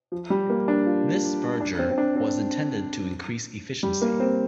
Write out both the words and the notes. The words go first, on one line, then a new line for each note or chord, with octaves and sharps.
This merger was intended to increase efficiency.
F3
G3
A#3
D4
F4
D4
C4
C4
D4
C4
G3
A#3
C4